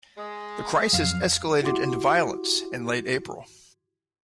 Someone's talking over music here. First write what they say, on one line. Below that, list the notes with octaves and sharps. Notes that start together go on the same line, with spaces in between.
The crisis escalated into violence in late April.
G#3
F2 F#3 F5
E4 F#4 G4 C6 D6